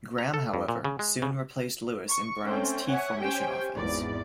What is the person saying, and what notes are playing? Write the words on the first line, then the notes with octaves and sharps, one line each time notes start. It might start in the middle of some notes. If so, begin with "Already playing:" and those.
Graham, however, soon replaced Lewis in Brown's T formation offense.
A#5
A4
F2
A#2
C#3
G#3
C#3
C#6
A3 C4 C#4 G5
C#5 E5 F#5 G#5
C#4 G4 C5 G5 G#5
G#1 E2 G#2 D5